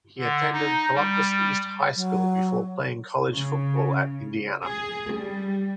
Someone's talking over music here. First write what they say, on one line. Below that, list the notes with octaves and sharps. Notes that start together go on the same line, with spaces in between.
He attended Columbus East High School before playing college football at Indiana.
D3
D#4
G3
F#3
C#3
G#4
G3